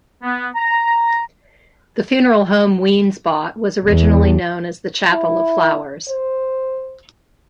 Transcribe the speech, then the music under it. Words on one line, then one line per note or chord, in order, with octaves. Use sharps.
The funeral home Wiens bought was originally known as the Chapel of Flowers.
B3
A#5
E2
E4
C5